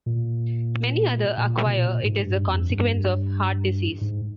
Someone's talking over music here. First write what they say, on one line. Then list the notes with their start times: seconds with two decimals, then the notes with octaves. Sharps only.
Many other acquire it as a consequence of heart disease.
0.06 A#2
1.38 A#2
1.66 C3
1.71 A#2
2.03 G#2
2.25 G2
2.48 F2
2.70 G2
4.01 G#2